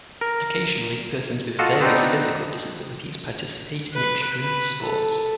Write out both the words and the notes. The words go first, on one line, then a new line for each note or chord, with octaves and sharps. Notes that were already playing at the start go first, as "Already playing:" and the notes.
Occasionally persons with various physical disabilities participate in extreme sports.
A#4
F4 F#4 A4 D#5 F5
B3 C4 D4 D#4
B4
B4
A4